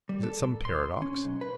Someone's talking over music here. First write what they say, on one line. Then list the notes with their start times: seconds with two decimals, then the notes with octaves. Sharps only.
Is it some paradox?
0.09 G3
0.23 A4
0.40 A#2
0.65 C6
1.02 C#4
1.25 B1
1.41 B4